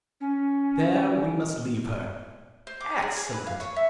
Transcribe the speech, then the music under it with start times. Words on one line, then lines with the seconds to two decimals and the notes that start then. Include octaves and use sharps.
There we must leave her!' Excellent!
0.20 C#4
2.67 C5
2.81 D6
3.02 G#4
3.17 G#4
3.33 B4
3.47 F5
3.60 C#5
3.76 E5